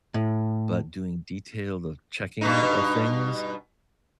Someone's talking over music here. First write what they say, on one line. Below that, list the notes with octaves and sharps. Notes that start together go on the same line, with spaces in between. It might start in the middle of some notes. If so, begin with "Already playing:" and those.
But doing detailed checking of things,
A2
G2 B2 D#4